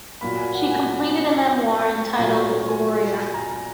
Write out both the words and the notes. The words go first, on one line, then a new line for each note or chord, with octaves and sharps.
She completed a memoir, entitled "Gloria".
A#2 F#3 A#3 B5
G#5
F#5
G#5
A#2 F#3 A#3
G#5
G#5
A#5